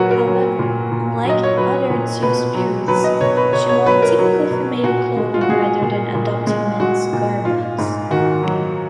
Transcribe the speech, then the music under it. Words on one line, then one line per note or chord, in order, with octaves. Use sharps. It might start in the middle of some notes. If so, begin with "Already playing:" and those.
However, unlike other Two-Spirits, she wore typical female clothing rather than adopting men's garments.
Already playing: A#2 F#3 F#4 A#4 B4
A#4
F#3
A#2
A#2
F#3 D#5
C#5
F#3 B4
A#2
B2 B4
F#3
F#3 B4
D#5
B2 C#5
B4
B2 C#5
C#5
F#3 B4
A#4
F#3
B2
A#2 F#4
G#3
F4
F#4
G#3 G#4
A#2
A#2
G#3
G#3 F#4
A#2
G#2 F4
G#2
D#3 F#4
F#3